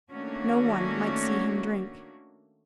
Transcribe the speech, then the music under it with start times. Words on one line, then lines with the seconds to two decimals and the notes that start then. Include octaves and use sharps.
No one might see him drink.
0.11 D#3 A3 A#3 C#4 D4 F#4